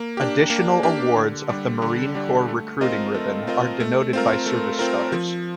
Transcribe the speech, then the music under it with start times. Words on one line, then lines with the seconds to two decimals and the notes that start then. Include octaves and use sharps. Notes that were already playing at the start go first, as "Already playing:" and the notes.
Additional awards of the Marine Corps Recruiting Ribbon are denoted by service stars.
Already playing: A#3
0.17 D4 G4
0.50 A#3
0.83 D4 G4
1.16 D3
1.49 G3 D4
1.82 D3
2.15 G3 D4
2.48 A3
2.81 C4 F4 A#4 D#5
3.14 A3
3.47 C4 F4 A#4 D#5
3.80 A3
4.13 C4 F4 A#4
4.46 A3
4.79 C4 F4 A#4
5.12 F3